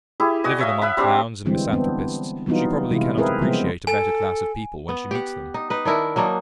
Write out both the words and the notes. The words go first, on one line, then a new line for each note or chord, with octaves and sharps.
Living among clowns and misanthropists, she probably cannot appreciate a better class of people when she meets them.
E4 G4 G#4
F#4 D5 D#5 G#5
C#5 E5 F5 D#6
E5 F#5 B5
G3 C4 D4 G4
D3 E3 G3 G#3 C4
B3 C4 D4
E3 F#3 G3 B3 D#4 F4
C3 E3 G#3 E4 F4
C4 E4 G#4 A#4 B4
C#3 F3 G3 G#3 B3 C4
A4 G#5
B3
G4 F#5
D#4
D#4 B4
D#3 D4 E4 A#4
F#3 A#3 D4 D#4